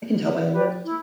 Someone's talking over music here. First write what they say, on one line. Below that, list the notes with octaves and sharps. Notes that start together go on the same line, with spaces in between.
I can tell by your loyalty.
E4
G4 B4 D5
E4